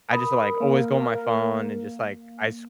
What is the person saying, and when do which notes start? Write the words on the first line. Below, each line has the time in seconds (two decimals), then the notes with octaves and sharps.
I just, like, always go on my phone and just, like, I sc
0.11 A#4 B5 D#6
0.60 A#3